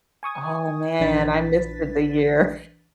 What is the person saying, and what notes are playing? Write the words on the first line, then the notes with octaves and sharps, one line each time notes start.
Oh man, I missed it the year.
G#5 C#6 D#6 G#6
A#1 E3 D4 B4 A6 B6